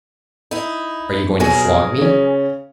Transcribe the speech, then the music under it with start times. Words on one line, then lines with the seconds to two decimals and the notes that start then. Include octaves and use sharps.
Are you going to flog me?
0.51 D#4 E4
1.40 B2 F#3 G#4 A#4
1.98 C#3 C#4